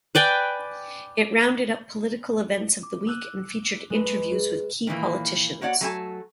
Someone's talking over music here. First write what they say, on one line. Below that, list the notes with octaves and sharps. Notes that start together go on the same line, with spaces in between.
It rounded up political events of the week and featured interviews with key politicians.
B4 D5 G5 G#5
D6
E6 F#6 D#7
G#3 B4
G#4
A#2 D#3 E3 A#3
A#3 F#4 C#5 D5 F#5
F#3 A3 G#4 A#4 G#5 A5